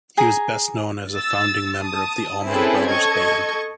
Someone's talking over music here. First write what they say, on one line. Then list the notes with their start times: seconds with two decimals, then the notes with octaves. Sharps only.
He was best known as a founding member of The Allman Brothers Band.
0.17 G#4 G#5 A#5
1.14 E6 A6
1.83 A5 D#6
2.47 C4 C#4 E4 G#4 A4 B4
2.88 A4 D#5 C#6 G#6